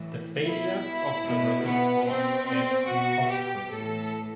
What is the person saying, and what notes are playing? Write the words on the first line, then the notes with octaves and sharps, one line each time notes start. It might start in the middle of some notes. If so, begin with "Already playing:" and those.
The failure of the relief force had consequences.
Already playing: A2 E3
B2 E4
B2
B3
B2 C4
C4
B2 F#4
G4
A2 E3 A4